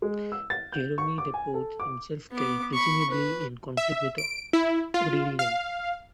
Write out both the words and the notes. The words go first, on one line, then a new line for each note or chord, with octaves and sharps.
Jerome reports him killed, presumably in conflict with Aurelian.
G#3
E6
A6
G6
C#6
D6
G#5
A4
D6
B3 D6
B5 C#6
B4
E5
D7
E4
F4
F5